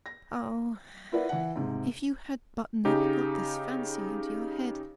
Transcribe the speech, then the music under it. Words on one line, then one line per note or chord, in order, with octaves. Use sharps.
'Ah! if you had but never got this fancy into your head!
A#6
E4 F4 A#4 B4 D5 F#5
E3 F#5
G#2 C3
C#3 D#4 G4